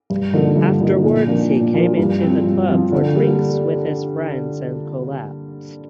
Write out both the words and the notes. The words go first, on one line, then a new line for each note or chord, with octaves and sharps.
Afterwards he came into the club for drinks with friends and collapsed.
G2
D3 F3 A#3 D#4
G2
D3 F3 A#3 D#4
A#2
F3 A#3 D4 F4
A#2
F3 A#3 D4 F4
G2
F3 C4 F4
G2
F3 C4 F4
D3
G3 A#3